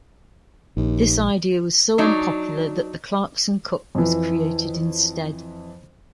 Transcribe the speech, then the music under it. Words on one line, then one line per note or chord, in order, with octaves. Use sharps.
This idea was so unpopular that the Clarkson Cup was created instead.
A#1 D#2
F#3 D4 D#4
F2 E3